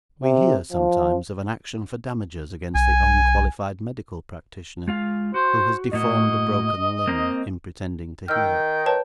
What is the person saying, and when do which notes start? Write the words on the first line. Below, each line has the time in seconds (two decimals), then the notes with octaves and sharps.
We hear sometimes of an action for damages against the unqualified medical practitioner, who has deformed a broken limb in pretending to heal it.
0.23 C3
0.72 F3
2.75 B1 G#5
4.88 G#3 F4 F5
5.34 F#4 C5
5.93 A2 A#3 F#4 D#5
7.07 A#3 C4 A#5
8.28 D#3 G5 E6 F6
8.86 B4 C#5 A5